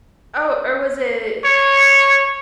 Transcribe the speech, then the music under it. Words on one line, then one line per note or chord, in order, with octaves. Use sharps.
oh, or was it
C#5